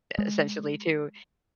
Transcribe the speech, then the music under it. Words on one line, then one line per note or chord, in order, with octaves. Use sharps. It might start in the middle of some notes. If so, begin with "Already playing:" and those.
essentially, to
G#3